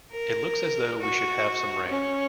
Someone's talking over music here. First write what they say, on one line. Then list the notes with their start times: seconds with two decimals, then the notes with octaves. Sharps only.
It looks as though we should have some rain.
0.13 A#4
1.02 F#4
1.89 C#4